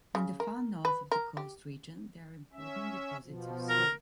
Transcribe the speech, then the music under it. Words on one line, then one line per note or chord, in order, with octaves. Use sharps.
In the far north of the coast region, there are important deposits of salt.
C#3
A#4
B4
A#4
G4
C#4 E5
B2 F3
A#4